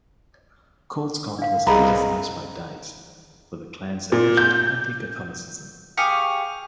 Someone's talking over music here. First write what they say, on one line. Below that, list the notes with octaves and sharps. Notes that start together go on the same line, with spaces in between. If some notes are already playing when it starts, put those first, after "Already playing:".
Colescott was criticized by Dies for the Klan's alleged anti-Catholicism.
D4 F5
C2 B3 D#4 G#4 F5 A#5 B5
A#2
G6
G4 G#4 F5 C#6